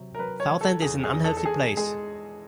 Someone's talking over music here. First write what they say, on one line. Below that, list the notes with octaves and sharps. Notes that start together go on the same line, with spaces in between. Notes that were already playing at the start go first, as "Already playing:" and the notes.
South End is an unhealthy place.
Already playing: C3 F#3
A#4
F#3 B4
C#5
F#3
A4
E2 G#4
G#4
E2
A4
A4
E2 G#4
G#3 G#4